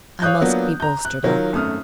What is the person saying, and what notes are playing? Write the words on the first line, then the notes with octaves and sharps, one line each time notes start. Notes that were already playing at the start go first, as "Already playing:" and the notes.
I must be bolstered up.
C#5 F5 D#6 F#6 G6
F#3 A#3 B3 D4 F4
A#5 G6
F#6
D#3 F#3 F4 A#4
G#1 F#2 A3 D#6 F6